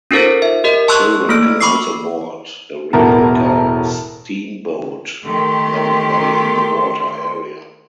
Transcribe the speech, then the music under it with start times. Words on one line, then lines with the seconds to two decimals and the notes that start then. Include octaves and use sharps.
Children can also board a replica steam boat, then play in the water area.
0.11 C#4 D#4 F4 A4 A#4 C5
0.42 E5
0.64 G4 A#4 D#5
0.88 A5 C6 C#6 E6 F#6
1.29 A3 A#3 A4 F6 D7
1.61 B5 C#6 D6 E6 C7
2.93 E1 A2 B3 A#4 A5
5.24 D#3 A3 G4 C6